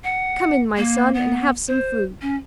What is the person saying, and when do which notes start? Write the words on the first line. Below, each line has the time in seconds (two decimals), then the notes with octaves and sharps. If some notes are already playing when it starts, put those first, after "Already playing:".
'Come in, my son, and have some food.
0.04 F#5
0.77 A#3
1.14 B3
1.68 C5
2.22 C#4